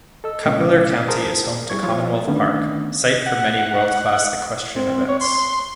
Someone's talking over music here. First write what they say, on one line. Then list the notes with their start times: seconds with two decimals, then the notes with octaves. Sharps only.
Culpeper County is home to Commonwealth Park, site for many world-class equestrian events.
0.24 A4 D#5 E6
0.45 C2 A#2 C#3 G#3 C#4 F5
1.08 G#4 A#4 C5 A5 D#6
1.70 G3 E4 G#4 C#6 G#6
1.83 F3 F4 C5 C#5
2.27 D3 D#3 A3 B3 C#4 D4
3.26 F#5
4.76 C4
5.09 C#5
5.21 C6